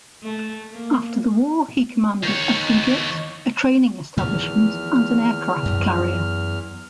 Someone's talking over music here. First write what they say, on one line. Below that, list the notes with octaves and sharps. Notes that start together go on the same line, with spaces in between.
After the War he commanded a frigate, a training establishment and an aircraft carrier.
A3
A#3
D#3 C#5
E2 D#3 F3 A3 F6
F#2